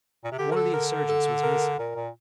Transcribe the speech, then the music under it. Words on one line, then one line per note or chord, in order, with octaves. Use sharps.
One of the insurgents was missing.
A#2
C3
D3 G4
A#4
A4
A#4
A#4
A4
A#4
A#2 A#4
A#2